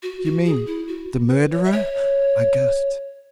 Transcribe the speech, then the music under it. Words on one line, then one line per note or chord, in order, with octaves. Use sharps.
"You mean--the murderer?" I gasped.
F#4
F#4
G#4
E4
F#4
B4
C#5
E5
C#5